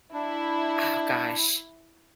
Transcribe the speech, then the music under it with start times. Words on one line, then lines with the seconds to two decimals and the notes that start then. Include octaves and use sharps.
Oh gosh.
0.13 D4 E4